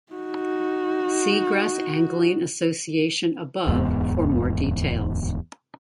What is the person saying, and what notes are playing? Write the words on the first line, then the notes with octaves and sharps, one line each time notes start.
See Gress Angling Association above for more details.
D#4 F#4
D1 E2 G#2 B3